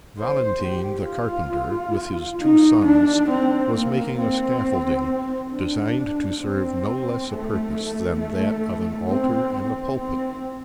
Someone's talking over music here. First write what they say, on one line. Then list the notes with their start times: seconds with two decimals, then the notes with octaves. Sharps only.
Valentine the carpenter, with his two sons, was making a scaffolding, designed to serve no less a purpose than that of an altar and a pulpit.
0.19 C5
0.63 G4
1.08 F4
2.41 D#4
2.85 D4
3.30 C4
3.75 A#3
4.19 C4
5.52 D4
6.42 C4
7.30 A3
7.75 A3
8.19 A3
9.09 C4
9.53 C4
9.98 C4